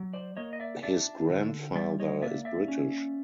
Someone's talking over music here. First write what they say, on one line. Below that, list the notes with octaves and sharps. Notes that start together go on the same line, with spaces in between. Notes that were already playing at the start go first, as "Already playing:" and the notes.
His grandfather is British.
Already playing: F#3
C5 D5
A#3 C#5 D#5
D#5
D5 E5
D4 D5 E5
D3
G3 D5 E5
C#5 D#5
A#3 D5 E5
D5 E5
C#4